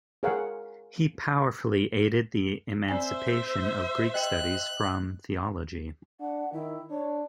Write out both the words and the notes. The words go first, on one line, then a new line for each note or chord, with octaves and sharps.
He powerfully aided the emancipation of Greek studies from theology.
G#4 A#4 C#5 F5 F#5
C4 C5 D5 E5 G#5
D#5 G5 F#6 C#7
D4 F#5
D#3 E4
D4 C#5